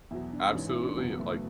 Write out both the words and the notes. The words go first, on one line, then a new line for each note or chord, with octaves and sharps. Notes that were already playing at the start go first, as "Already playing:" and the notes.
absolutely like
E2 B2 F#3 E4
D4
A1 G#2 E3 C#4
E4
D4
F#1 E2 B2 F#3 B3
A3